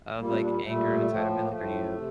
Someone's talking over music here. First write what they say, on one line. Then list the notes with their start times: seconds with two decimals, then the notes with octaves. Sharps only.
of, like, anger and entitlement, like, are you,
0.18 A#2 G3 A#3
0.29 A3 C4
0.39 A#3 D4
0.51 A#3
0.62 A#2 G3 A3
1.06 A2 F3
1.41 A#3
1.49 A2 F3 A3
1.93 C3